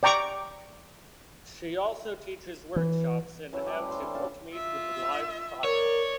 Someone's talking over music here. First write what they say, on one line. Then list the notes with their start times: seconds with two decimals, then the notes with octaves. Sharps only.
She also teaches workshops in how to cook meat with live fire.
0.03 D5 G5 A#5 C#6 D6
2.76 E3
3.53 E3 F#3 C#4 A4
3.66 G3 A3 G4
3.88 C5 G5 B5 C6
4.01 E3 A3 C#4 D4
4.14 A#2 F5 A5
4.52 F4 E5
5.64 A#4 C#5 D5